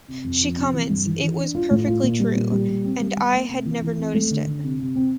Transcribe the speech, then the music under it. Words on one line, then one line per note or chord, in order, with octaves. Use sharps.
She comments It was perfectly true; and I had never noticed it.
C3
F2
F3
C3
E3
G2
E3
E3
D4
F4
A2
F4
A#2
G3
A#2
G3
A#2
C4
G3
G3
A#3
C3
E3
E3
C4
A3
D3
D3
C3
C3
C4